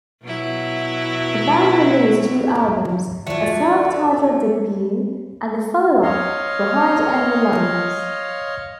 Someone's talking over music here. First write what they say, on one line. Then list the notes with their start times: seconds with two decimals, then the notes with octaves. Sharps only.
The band released two albums, a self-titled debut, and the follow-up "Behind Enemy Lines".
0.23 B2 F#3 E4
3.27 F3 F#3 A3 D5
6.03 C#5 D#5 F5 C6